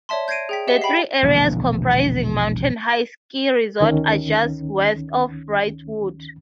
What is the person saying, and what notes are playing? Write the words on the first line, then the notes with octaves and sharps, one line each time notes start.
The three areas comprising Mountain High ski resort are just west of Wrightwood.
C#5 D5 E5 A5 C6
G6 G#6 A#6 C7 D7 D#7
G#4 G5 B6
G4 D#5 E5 F#5 G7
G5 B5 B6 C7
E1 A#1 D3
D2 D#3 C#4